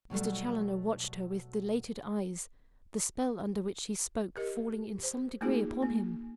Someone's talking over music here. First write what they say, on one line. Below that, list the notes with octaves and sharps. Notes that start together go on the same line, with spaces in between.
Mr. Challoner watched her with dilated eyes, the spell under which she spoke falling in some degree upon him.
B2 F#3 G3 A3
G4 A#4 D#5
C5
A3 A#3 D#4 F4 F#4 G#4
A#3